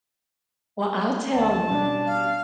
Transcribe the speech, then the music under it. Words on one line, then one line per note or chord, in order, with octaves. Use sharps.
Well, I'll tell ya.
D2 D5 A5
B2 G3 C#4 D4
F5